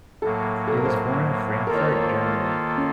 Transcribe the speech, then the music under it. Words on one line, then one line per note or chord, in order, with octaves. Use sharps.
He was born in Frankfurt, Germany.
A2 F#3 A#3 A4
A4
A#4
C5
D#3 A#3 F4 A4 A#4
C#5
C5
C#5
C5
C#4